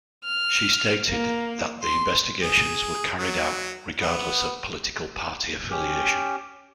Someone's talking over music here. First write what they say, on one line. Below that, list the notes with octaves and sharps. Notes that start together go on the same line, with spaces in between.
She stated that the investigations were carried out regardless of political party affiliation.
F6
A#3
C6
G#4
F#3
B3
C#4 G4